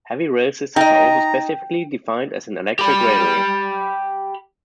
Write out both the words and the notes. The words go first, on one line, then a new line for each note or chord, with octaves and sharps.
Heavy rail systems are also specifically defined as an "electric railway".
D#4 D#5 G5 A#5
G4 B5